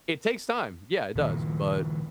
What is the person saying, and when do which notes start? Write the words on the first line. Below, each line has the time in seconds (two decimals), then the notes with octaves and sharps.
it takes time. Yeah, it does. But,
1.16 A#2 D#3 F3